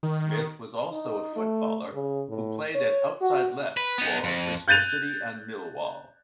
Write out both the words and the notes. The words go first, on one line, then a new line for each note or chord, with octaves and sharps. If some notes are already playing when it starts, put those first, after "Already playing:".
Smith was also a footballer who played at outside-left for Bristol City and Millwall.
D#3
D#4
A3
C#3
A2
C#5
F#4
B4
B3 D#4
F2
F#6 G6 A6 D#7 F7